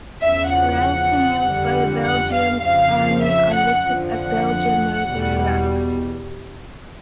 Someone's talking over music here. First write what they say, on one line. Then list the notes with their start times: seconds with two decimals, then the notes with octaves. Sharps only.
Ranks in use by the Belgian Army are listed at Belgian military ranks.
0.22 E2 C#3 F3 E5
0.53 F#5
1.43 F2 D3 G3
2.04 F#5
2.34 F5
2.64 F2 C#3 F3 F5
3.24 E5
3.54 F#5
3.83 F2 D3 F3
4.15 F#5
5.05 E2 B2 G3